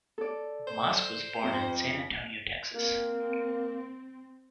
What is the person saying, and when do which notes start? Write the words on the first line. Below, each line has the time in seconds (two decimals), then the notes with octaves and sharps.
Mosk was born in San Antonio, Texas.
0.18 A4 D5
0.68 C5
1.43 F2
2.75 A#3 C4